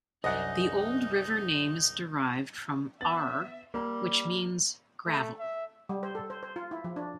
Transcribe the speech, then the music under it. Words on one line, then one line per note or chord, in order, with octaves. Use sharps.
The old river name is derived from "aurr" which means "gravel".
C2 F#2 D4 D#4 D#5 F#5
B3 E5 A6 F#7
G3 A#3
A3
E5
G3
C5
A4
C5
C5
F4
E4
F3
D4